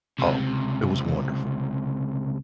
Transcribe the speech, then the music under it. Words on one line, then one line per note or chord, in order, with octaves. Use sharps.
Oh, it was wonderful,
C#2 C3